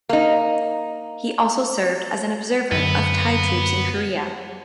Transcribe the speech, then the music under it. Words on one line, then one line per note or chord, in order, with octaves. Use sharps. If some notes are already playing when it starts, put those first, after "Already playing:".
He also served as an observer of Thai troops in Korea.
A#3 D#4
F#2 D3 B3